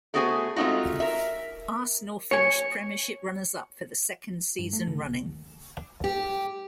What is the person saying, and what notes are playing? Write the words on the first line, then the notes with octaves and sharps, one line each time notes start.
Arsenal finished Premiership runners-up for the second season running.
A3 B3 F#4 G#4 C5 G#5
G#3 A3 C4 D#4 F4 F#4
A#4 E5
C#5 G#5 C#7
G2
A3
C#3
A#1
D#2
G4